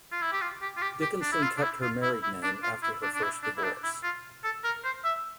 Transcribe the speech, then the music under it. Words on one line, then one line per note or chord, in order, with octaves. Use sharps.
Dickinson kept her married name after her first divorce.
F4
E4
G4
F4
G4
F4
G4
G4
D4
E4
F4
D4
E4
F4
E4
E4
D4
F4
E4
D4
D4
E4
D4
E4
D4
E4
F4
A4
A#4
C5
E5